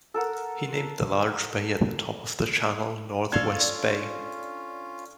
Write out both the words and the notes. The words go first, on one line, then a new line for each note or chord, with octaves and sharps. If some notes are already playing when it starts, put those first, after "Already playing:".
He named the large bay at the top of the channel North West Bay.
A4 A#4 F#5
C#4 D4 F4 A4 F5 G#6